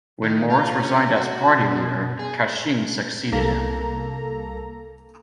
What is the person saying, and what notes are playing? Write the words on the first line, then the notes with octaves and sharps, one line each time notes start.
When Morris resigned as party leader Cashin succeeded him.
D#3
F4
C#4
F#4
B2
G#4
C2 A#3 A4 A#5